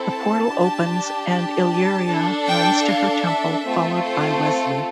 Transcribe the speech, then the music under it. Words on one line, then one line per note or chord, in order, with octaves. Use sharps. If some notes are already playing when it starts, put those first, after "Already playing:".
The portal opens and Illyria runs to her temple, followed by Wesley.
Already playing: C4 E4 A4
A5
D4 G4
A5
D4 A4
G5
F5
E5
A3 C4 F4 A4
C5